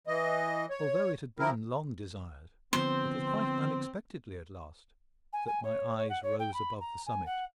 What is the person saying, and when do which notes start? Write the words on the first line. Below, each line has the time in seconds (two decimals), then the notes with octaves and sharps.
Although it had been long desired, it was quite unexpectedly at last that my eyes rose above the summit.
0.07 E3 D#5
0.70 C#5
1.39 F3 C4 E4 A#4
2.73 D3 F3 B3 C4 C5
5.32 G#5
5.47 G#5
5.63 C#5
5.96 C#5
6.09 F#5
6.22 C#5
6.39 G5
6.53 B5
6.80 A#5
7.06 G#5
7.25 F#5